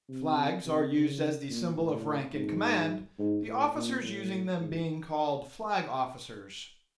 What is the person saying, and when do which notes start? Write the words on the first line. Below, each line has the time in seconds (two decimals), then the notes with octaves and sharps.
Flags are used as the symbol of rank and command, the officers using them being called flag officers.
0.09 C3
0.65 C3
0.94 C#3
1.50 A#2
1.78 A2
2.34 G#2
3.19 G#2
3.47 A2
3.75 A#2
4.03 A2
4.59 G#2